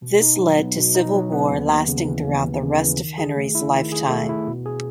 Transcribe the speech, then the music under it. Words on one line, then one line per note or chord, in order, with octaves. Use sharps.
This led to civil war lasting throughout the rest of Henry's lifetime.
B2
D#4
F#3
B3
B2
D#4
F#3
B3
D#2
D#2
C#3
E3
D#2
D#2
C#3
E3
D#3
G#4
A3
E4
D#3
G#4
A3
E4
B2
G#4